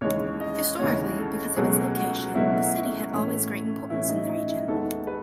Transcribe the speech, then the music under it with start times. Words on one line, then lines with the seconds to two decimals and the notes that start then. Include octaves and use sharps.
Historically, because of its location, the city had always great importance in the region.
0.01 D#2 C#3 E3 G#3 C#4 C#5
0.40 D#5
0.79 D#2 C#3 E3 G#3 C#4 C#5
1.18 A4
1.57 C#2 B2 F#3 A3 C#4 G#4
1.95 F#4
2.34 C#2 B2 F#3 A3 C#4 E4
3.12 A2 E3 A3 C#4
3.90 A2 E3 A3 C#4 E4
4.09 D#4
4.29 D#4
4.49 E4
4.68 D#2 D#3 G#3 B3 A4
5.07 B4